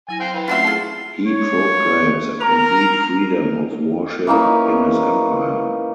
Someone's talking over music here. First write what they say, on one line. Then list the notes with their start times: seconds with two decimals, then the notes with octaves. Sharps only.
He proclaims a complete freedom of worship in his empire.
0.09 F#3 E4 G#5 A#6
0.20 C5 F5 G5
0.34 E3 F5 G5
0.48 A3 C4 C#4 F4 F#4 E5 C6
0.64 E4 F4 G#4 A4 F#5
1.27 C#5
2.41 A#4 A#5
4.27 E3 A#3 C#4 D#4